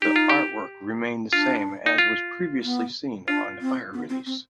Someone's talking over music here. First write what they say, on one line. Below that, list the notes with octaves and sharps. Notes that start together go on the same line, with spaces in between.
The artwork remained the same as was previously seen on the Fire release.
D#4 G4
F4
G4
D4 F4
D#4
F4
B3
D4 F4
C4
B3
C4
C4